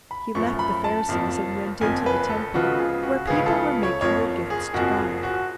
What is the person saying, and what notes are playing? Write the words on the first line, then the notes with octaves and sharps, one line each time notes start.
He left the Pharisees and went into the Temple, where people were making their gifts to God.
B5
F#2 F3 A3 C#6
B5
A5
F#1 F2 F3
F#1 F2 F3 G#5
B4
A4
C#2 C#3 F3 B3 F4 F#4
G#4
F#4
C#2 C#3 F3 B3 F4 G#4
A4
C#5
F#1 F2 F3 C#5
G#4
F#1 F2 F3 F#4
G#4
F#4